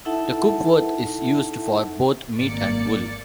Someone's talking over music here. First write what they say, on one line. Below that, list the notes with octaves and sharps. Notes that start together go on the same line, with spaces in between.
The Coopworth is used for both meat and wool.
D#4 E4 A4 E5 F#5 A5
G#1 A#3 D5 C#7